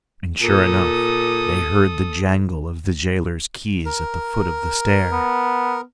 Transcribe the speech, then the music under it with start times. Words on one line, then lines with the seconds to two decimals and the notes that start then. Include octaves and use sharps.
And sure enough, they heard the jangle of the jailer's keys at the foot of the stair.
0.42 A#2 A4 D#6
3.86 A#4
5.12 B3